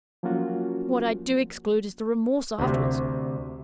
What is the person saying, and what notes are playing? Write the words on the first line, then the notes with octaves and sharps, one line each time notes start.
What I do exclude is the remorse afterwards.
F3 F#3 A#3 C#4 F4 F#4
D2 C3